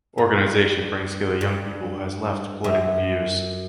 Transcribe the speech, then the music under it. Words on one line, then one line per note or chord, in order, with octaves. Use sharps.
Organisation brings together young people who has left political views.
G2
G2
F#2